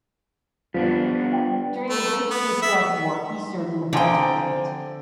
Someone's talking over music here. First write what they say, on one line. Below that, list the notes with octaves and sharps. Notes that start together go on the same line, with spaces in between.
During the Great Patriotic War he served in the Baltic Fleet.
F3 G3 B3 D4
A3
B3
E5
D3 F3 C4 G5 G#5 A#5 D#6